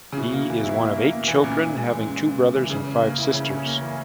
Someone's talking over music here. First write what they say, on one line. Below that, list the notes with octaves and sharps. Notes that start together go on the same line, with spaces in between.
He is one of eight children, having two brothers and five sisters.
C#3
B2 E4
A#3
E3
E4
A#3
A#3
A#3
E3
A#2 C#3
C#3
G#3
E3
C#3
C#3
C#3
E3
C#3 E3
C#4
A#3
E4
C#3 C#4
C#4
A#3
E3